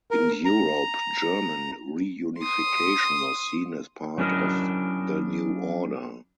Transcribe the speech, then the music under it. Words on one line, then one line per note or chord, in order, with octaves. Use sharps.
In Europe, German reunification was seen as part of the new order.
A#4
A#5
C6 D#6
F#3 C#4 D4 E4 A#4 D#5